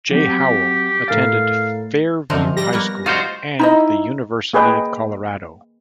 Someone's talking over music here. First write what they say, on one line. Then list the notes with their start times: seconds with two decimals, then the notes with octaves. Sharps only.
Jay Howell attended Fairview High School and the University of Colorado.
0.11 F#3 C4 G4
1.08 A2 A#4 F5 A6
2.30 F#2 D3 F3 A3 D#4
2.57 G3 A#6
2.73 A#3 B3 C#5
3.06 D#4 F4 F#4 C5 F5
3.59 D#4 E4 D#5
4.53 A#3 G#4 B4 D#5 G5 G#5